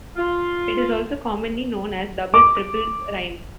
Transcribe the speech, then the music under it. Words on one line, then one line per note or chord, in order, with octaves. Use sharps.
It is also commonly known as double triple rhyme.
F4
D6